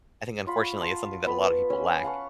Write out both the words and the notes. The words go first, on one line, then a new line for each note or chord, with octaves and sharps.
I think unfortunately it's something that a lot of people lack.
F4 F#5 B5 C#6
F4 A5
B3 B4
C#4 C#5 G#5 E6
F5 F#5 A5 C#6